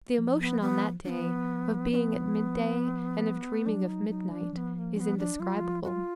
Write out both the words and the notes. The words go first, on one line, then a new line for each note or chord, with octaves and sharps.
The emotion on that day, of being at mid-day and of dreaming of midnight is indescribable.
F3
B3
B3
F3 B3 D4
D4
B3
F#3 D4
F#3 D#4
F#3 D#4
F3 D4
F3 B3 D4
B3
A#3
D4
B3
D4
F#3 F4
F3
F#3 F4 F#4